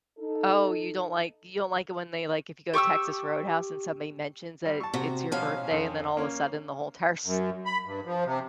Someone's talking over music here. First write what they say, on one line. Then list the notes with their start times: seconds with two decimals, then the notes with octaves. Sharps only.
Oh, you don't, like you don't, like, it when they, like, if you go to Texas Roadhouse and somebody mentions that it's your birthday and then all of a sudden the whole entire s
0.18 D#4 A4
2.74 G4 C#6 D#6 E6
4.65 G3
4.80 A5 C#6
4.94 C3 F#4
5.32 A1 B2 F3 C#4 F5
5.71 F2 D3
6.17 A#3 C#4
7.26 F#2
7.66 B5
7.85 G2
8.06 F3
8.25 C3